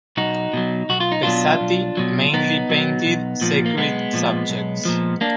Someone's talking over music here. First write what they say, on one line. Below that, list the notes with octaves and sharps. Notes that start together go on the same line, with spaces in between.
Pezzati mainly painted sacred subjects.
B1 D#4 F#4
B2 F#3
B1 F#4
F4
D#4
B2 F#3 D4 F4
B1
B2 F#3
B1 B3 D#4
B2 F#3
B1
A#2 F3
A#3
B1 G#3 B3
A#2 F3
B1
A#2 F3
A#3 D4